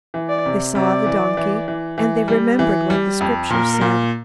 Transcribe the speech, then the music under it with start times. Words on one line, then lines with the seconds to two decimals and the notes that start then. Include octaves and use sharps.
They saw the donkey, and they remembered what the Scriptures said.
0.14 E3
0.29 D5
0.46 C3
0.75 C3 D5
1.06 E3
1.37 E3
1.68 E3
1.98 E3
2.28 G3
2.59 E3
2.90 G3
3.21 F2
3.50 A#2 A#4
3.81 A#2